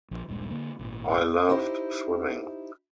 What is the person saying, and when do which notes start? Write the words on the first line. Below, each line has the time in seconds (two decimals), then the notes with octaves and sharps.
I loved swimming.
0.11 A#1 F3
0.28 D#1 A#1 G2 G#3
0.50 D3 A#3
0.79 G#1 A#2
1.49 D#4 E4 G4 C5